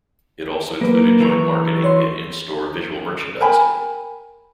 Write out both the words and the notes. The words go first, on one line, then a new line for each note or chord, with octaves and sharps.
It also included joint marketing and in-store visual merchandising.
F#3 A#3 B4
E3 A#5 C#6
F#4 C#5 C6
A#4 G5 G#5 B5